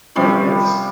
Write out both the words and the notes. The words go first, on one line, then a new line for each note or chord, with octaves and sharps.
Oh, that that's
C3 F3 G3 C#4